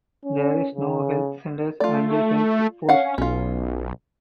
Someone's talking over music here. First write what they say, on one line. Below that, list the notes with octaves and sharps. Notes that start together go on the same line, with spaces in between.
There is no health centers and health posts.
C#4
C#3
A3 F4 D5
C#4 F5 F#5
B1 C#4 F4